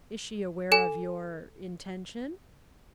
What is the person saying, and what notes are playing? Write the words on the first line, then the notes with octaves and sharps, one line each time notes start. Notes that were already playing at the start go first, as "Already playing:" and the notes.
"Is she aware of your--intention?"
A4 G#5